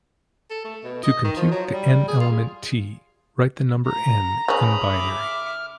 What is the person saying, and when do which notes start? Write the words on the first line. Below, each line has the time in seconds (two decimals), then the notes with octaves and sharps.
To compute the "n" element "t", write the number "n" in binary.
0.50 A4
0.65 A3
0.84 B2
1.03 D#5
1.24 D#3
1.37 F3
1.52 F#3
1.73 G3
2.08 G#4
2.20 F4
3.86 A#5
4.48 C#3 C#4 A#5 B5 D#6
4.87 E5 D6
5.19 F6